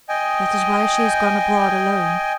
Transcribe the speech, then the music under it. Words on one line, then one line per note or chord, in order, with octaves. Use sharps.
That is why she has gone abroad alone.
D#5 G5 G#5